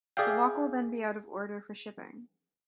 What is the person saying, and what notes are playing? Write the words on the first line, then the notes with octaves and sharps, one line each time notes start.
The lock will then be out of order for shipping.
G#4 D5 E5 F5 G5